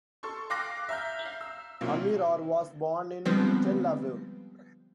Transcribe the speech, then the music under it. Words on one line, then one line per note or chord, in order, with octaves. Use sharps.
Amir Or was born in Tel Aviv.
A4 C6 C#6
F5 G5 D6 F#6 A#6
E5 A#5 F6 G6
F5
E6
C3 F#3 A#3 C#4 E4 F4
D3 F3 G3 G#3 B3 C4